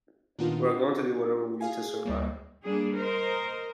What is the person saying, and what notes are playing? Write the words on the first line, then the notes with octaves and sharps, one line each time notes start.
We are going to do whatever we need to do to survive.
A#2 D#3 B3 D4 D#4 F4
F#4 G4
G#4 F5 G#5
D2 G3 A#3
G3 A#3 D4 G#4
A#4 C5 D#5